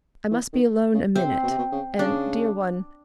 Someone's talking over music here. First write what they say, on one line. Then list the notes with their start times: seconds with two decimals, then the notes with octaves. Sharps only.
I must be alone a minute--and--dear one . . .
0.31 E3
0.53 D#3
0.94 C#3
1.15 C3 C4
1.43 B2
1.50 C3
1.58 B2
1.72 C#3
1.99 C#3 D4